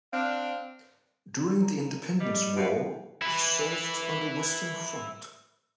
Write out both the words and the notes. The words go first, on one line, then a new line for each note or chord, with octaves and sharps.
During the Independence War, he served on the western front.
C4 D4 F5
A#5
G3 D#5
F2 B2 B4
E4 B4